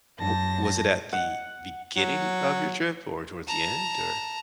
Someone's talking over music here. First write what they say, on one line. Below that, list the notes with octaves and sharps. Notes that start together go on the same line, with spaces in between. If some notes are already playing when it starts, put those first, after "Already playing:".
W was it at the beginning of your trip or towards the end? Or
F#2 A5 A#6
F#5
F#3
A5 A#5